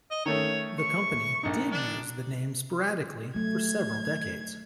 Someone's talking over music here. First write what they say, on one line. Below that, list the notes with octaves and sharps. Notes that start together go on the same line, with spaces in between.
The company did use the name sporadically for several decades.
D#5
D#3 A3 C#4 C#5
C#6
A#1 D#4
D4
F#3 A3 G#6